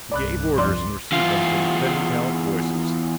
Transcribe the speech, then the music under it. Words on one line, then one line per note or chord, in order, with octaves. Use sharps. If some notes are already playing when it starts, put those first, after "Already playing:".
He gave orders and received them from the thin metallic voices.
C2 G2 D5 B5 F#6
F2 D5 C6
E2 F4